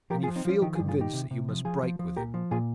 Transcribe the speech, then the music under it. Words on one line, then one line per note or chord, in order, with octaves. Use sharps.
"And you feel convinced that you must break with him?"
F3 G4 A#4
F4 G#4
F3
C4 D#4
F3 C#4 F4
D#3 D#4 G4
F4 G#4
G2
F4 G#4
D#3 D#4 G4
C3
C3
F3
F3 F4 G#4
F3
F3
A#2 G4 A#4
F3
A#2 F4 G#4